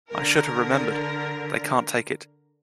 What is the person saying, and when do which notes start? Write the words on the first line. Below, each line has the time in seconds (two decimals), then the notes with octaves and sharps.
I should have remembered, they can't take it.
0.10 D3 A#4